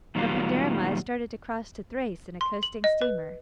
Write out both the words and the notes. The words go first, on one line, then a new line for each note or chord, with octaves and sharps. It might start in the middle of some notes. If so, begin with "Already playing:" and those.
From Panderma I started to cross to Thrace in a coasting steamer.
A#2 D#3 F#3 G3 B3 F4
C6
F#7
D#5
B4